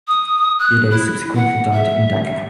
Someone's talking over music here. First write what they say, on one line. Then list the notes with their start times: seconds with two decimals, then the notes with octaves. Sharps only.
Udai subsequently died in Dhaka.
0.08 D#6
0.59 F#6
0.91 E4
1.36 F#5
1.73 E5